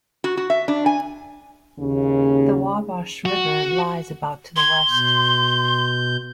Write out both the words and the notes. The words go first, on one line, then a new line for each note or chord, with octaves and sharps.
The Wabash River lies about to the west.
F#4
F#4
E5
D4
G#5
D#2 C#3
F#4
C6 G#6
B2 G6